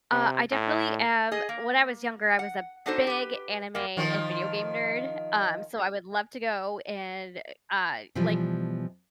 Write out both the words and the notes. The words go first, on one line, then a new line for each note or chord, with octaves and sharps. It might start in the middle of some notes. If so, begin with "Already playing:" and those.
Uh, I definitely am When I was younger, I was a big anime and video game nerd, um, so I would love to go and, uh, like,
C3
A2
G#4 D#5
A#3
F#5
B3 D4 D#4 F#4 A4 C5
G4 B4
F#2 A#3
D#3 F3
B2 E3 F3 G3